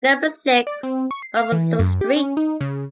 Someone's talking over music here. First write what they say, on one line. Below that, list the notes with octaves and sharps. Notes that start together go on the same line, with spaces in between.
Number six, Barbezieux street.
D5
C4
C#6
C7
F5
E3
F#2
G4
C#4
D#4
C#3